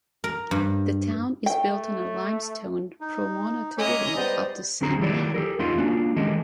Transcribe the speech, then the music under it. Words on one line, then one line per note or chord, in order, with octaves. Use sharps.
The town is built on a limestone promontory of the same name.
A#4
G2
A3 G5
D#4
G#3 C#4 E4 C#5 D#5 G#5 A#5 D6
G3 G#3 B3 C5 D5
D2 D3 C4 G#4 A#5
D#3 F#3 E4 G4 C#5 D5
G4 A4 A#4
E2 A3 C#4 D#4 F4 C6
A#3 C#4 D4 F4 F#4
D#3 E3 G#3 G4 A4 D#5